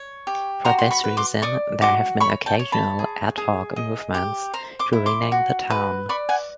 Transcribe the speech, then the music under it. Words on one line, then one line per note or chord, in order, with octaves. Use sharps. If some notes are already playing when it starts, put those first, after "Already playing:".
For this reason, there have been occasional ad hoc movements to rename the town.
Already playing: C#5
G4
F#4 A#5 C6
C6
B5 C#6
B4
C6 D6
D5 C#6 D#6
F#4 C6 D6
C#5 B5 C#6
G5 A5
C#5
A5 B5
G#4
G#4
D#5
G4
C5 A#5 C6
C6 D6
E4
C6 D6
F#4
B4
D5 B5 C#6
F#5 G#5